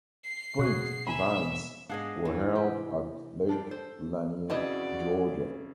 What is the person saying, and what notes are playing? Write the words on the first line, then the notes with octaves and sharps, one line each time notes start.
Sprint events were held at Lake Lanier, Georgia.
C7
B2 F#4 G#4
E5 G#5 A#5 B5
G#2 G#3 B3 D4 G#4 D#5 F5 F#5
D3 E3
C3 G4 B4
F2 G3 D4 F4 G5
A4 C5
F2 C#3 E3 E4 F#4 D5 D#5 G#6